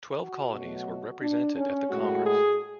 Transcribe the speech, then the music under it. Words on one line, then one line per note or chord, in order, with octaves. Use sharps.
Twelve colonies were represented at the Congress.
F#4
B2 F#3 A3
D4
C#4
A2 G#3 F#4
G#4